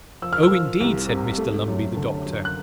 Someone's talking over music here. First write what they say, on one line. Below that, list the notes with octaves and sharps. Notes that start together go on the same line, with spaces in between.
'Oh, indeed!' said Mr Lumbey, the doctor.
F3 E6
F6
E6
F3
C2
C3
A3
F#2
D3
F#2
F#6